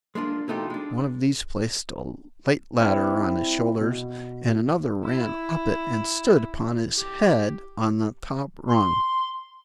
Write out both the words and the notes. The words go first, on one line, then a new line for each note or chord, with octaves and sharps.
One of these placed a light ladder on his shoulders, and another ran up it and stood upon his head on the top rung.
G#3 A#3 D4 F4
B2 E3 A3 D#4 F4 G4
G#3 D4
C4 E4
B2
E4
G4
C6